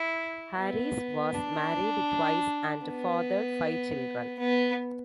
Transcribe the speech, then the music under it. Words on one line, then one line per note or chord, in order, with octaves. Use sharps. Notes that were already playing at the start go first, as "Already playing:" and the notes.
Harris was married twice, and fathered five children.
Already playing: E4
B3
D4
B3
B3